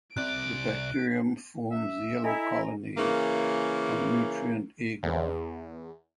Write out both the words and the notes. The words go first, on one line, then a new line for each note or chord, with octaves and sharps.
The bacterium forms yellow colonies on nutrient agar.
C2 C3 D5 F#6 D7
E5
E4 A4 D#5 G#5 A#5
C#3 E3 A#3
E2